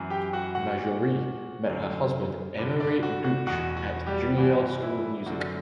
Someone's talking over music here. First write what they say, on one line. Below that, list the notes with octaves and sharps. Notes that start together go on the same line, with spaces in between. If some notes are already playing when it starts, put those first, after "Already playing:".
Marjorie met her husband Emery Deutsch at the Julliard School of Music.
Already playing: F#2 E3
G4 G5
F#4 F#5
F#4 F#5
A#2
F#2 D3
G2 D3
D4 D5
F#4
F#4
E2 B2 F#4
F#4
G3 G4
G2 E3 F#4
E4
F#2 D3 F#4